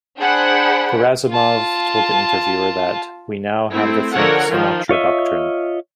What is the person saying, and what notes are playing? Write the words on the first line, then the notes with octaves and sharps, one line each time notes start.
Gerasimov told the interviewer that, We now have the Frank Sinatra doctrine.
D4 G#4 C5 F#5 G5 B5
F4 A5
A3 C4 E4
D3 F3 A4 A#4 C#5 F#5
D#3 F3
F4 C#5 D#5 E5